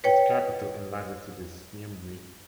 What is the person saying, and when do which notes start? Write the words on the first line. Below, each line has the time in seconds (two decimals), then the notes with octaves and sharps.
Its capital and largest city is Siem Reap.
0.04 B4 C#5 G5